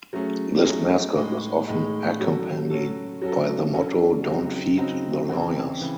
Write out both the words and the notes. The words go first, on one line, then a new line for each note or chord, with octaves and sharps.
This mascot was often accompanied by the motto Don't feed the lawyers.
F#3 A3 C#4 G#4
F#3 A3 C#4 G#4
A2 G#3 D#4 G#4
A2 G#3 D#4 G#4
F#3 C#4 F#4 A4
F#3 C#4 F#4 A4
F#3 C#4 F#4 A4
F#3 C#4 F#4 A4
C#3 F#3 C4 D#4
C#3 F#3 C4 D#4
C#3 E3 C4
C#3 E3